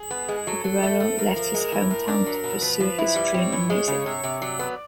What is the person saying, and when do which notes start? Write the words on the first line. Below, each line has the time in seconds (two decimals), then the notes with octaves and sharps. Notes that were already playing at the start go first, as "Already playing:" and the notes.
Guerrero left his hometown to pursue his dream in music.
Already playing: G#4
0.11 B3
0.29 G#3
0.47 F#3 A4
0.64 F#3
0.83 A3
1.00 A3
1.18 F3 A#4
1.36 F3
1.54 G#3
1.72 E3
1.90 A2 A#4
2.08 D4
2.26 F#3
2.44 B2
2.62 F3 B4
2.80 F3
2.98 E4
3.16 G3
3.34 C4 C#5
3.52 E3
3.70 G#3 C#5
3.88 C#3
4.06 C3
4.23 C3
4.42 F#3 D5
4.59 B3